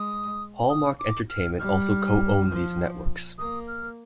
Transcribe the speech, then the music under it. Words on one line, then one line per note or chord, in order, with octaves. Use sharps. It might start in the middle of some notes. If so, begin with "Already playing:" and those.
Hallmark Entertainment also co-owned these networks.
Already playing: G#3 D#6
D#6
D6
F6
G3 F6
F3
A#3 D#6
F6